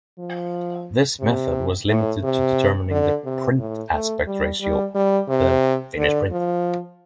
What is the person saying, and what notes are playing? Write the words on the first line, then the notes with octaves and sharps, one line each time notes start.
This method was limited to determining the print aspect ratio of the finished print.
F3
C3
A2
C3
D3
C3
A2
A3
G3
G3
G3
C3
D3
F3